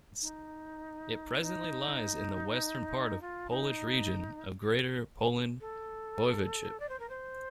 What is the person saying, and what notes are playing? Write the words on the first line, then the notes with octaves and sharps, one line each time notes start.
It presently lies in the western part of Polish region of Greater Poland Voivodeship.
D#4
D#4
F4
D#4
A4
D5
C5
A#4
C5